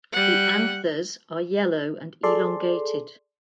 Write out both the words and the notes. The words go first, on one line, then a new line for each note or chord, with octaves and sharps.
The anthers are yellow and elongated.
G3 F#5
G#4 A4 D5 C6